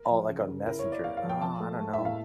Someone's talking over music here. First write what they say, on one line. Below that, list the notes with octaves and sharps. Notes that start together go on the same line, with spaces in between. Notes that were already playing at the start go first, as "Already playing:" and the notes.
Oh, like, on Messenger. Oh, I don't know.
Already playing: A#4
F3
C#3
C#3
E4 A#4
C#5
E4
D5
E4 F5
F5
F3
G5
F3 A5
A3
A3
A2 E5
F5